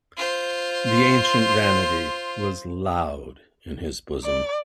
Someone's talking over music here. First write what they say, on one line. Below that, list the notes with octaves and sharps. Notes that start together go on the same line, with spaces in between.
The ancient vanity was loud in his bosom.
F4 C5
D5